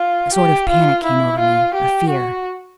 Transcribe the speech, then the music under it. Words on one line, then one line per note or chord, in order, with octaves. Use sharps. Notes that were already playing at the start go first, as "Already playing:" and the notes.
A sort of panic came over me, a fear.
Already playing: F4
G4
F4
E4
F4
G4
F#4